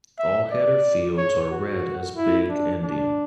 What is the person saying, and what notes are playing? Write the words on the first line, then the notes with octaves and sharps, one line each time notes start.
All header fields are read as big-endian.
E5
D5
C#5
F#4
E4
D4
D4